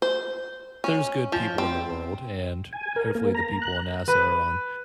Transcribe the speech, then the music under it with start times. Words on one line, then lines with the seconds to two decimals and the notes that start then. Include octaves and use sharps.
There's good people in the world, and, hopefully the people on NASA are on
0.02 C5
0.84 C#4
1.32 F3
1.58 C4
2.73 G#5
2.96 A#4
3.15 A#3
3.35 A#5
3.62 F#6
4.08 B4